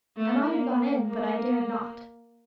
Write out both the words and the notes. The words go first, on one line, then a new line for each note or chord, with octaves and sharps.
I might have gone in, but I dared not.
A3
A#3
A#3